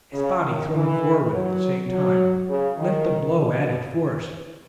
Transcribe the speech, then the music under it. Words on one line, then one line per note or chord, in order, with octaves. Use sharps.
His body, thrown forward at the same time, lent the blow added force.
C#3
D#3
E3
F#3
F#3
C#3
D#3
B2